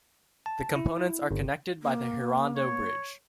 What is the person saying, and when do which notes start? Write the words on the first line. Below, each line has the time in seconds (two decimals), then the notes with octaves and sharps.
The components are connected by the Hirado Bridge.
0.46 A5
0.76 E4
1.31 G1
1.83 A#3
2.56 C#5